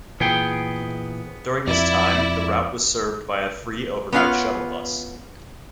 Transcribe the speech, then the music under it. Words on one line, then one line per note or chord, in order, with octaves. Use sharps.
During this time, the route was served by a free overnight shuttle bus.
A#2 E3 B3 G#4 G5
F2 E4 D5
B3 C#4 D4 F4 F5 F#5